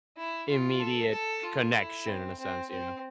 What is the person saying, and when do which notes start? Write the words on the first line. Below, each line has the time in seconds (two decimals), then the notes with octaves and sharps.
immediate connection in a sense, yeah.
0.16 E4
0.49 F4
0.80 A4
1.12 A4
1.43 F4
1.75 E4
2.06 C4
2.39 C4
2.70 C4